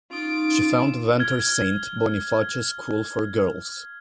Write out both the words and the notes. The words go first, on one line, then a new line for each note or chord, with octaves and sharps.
She founded Ventnor Saint Boniface School for girls.
C#4 D#4 F4 D7
F6 G#6